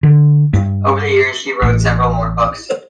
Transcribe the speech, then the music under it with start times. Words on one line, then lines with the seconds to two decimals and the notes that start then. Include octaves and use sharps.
Over the years, she wrote several more books.
0.03 D3
0.53 G2
1.62 A1